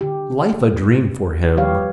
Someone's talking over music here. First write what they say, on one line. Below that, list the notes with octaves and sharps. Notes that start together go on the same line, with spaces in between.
Life a dream for him.
D3 G4
F3 G3 G4 B4 C#5 F5